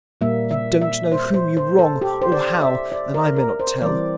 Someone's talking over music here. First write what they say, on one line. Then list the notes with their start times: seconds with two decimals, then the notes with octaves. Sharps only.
You don't know whom you wrong, or how; and I may not tell.
0.21 A#2 G3 A#3 E5
0.51 E5
0.81 E5
1.12 C5
1.34 C5
1.57 C5
1.79 A4
2.02 G4
2.22 C5
2.32 D5
2.62 E5
2.92 D5
3.14 A#4
3.36 A#4
3.60 C5
3.82 E3 G3 C4 D5